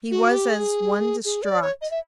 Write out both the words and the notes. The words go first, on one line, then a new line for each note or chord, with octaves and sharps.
He was as one distraught.
F#4
G4
G#4
G#4
D5
C#5
D#5
E5